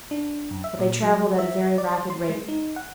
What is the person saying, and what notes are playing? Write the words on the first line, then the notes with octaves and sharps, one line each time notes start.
But they travelled at a very rapid rate.
D4
F#2
E5
A#2
F#3
E5
D5
C6
G#3
D#4
F#5